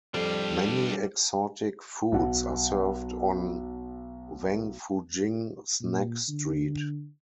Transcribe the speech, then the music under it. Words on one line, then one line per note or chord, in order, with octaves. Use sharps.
Many exotic foods are served on Wangfujing snack street.
F2 G3 D4 F5
B1 F#5
A#2
D3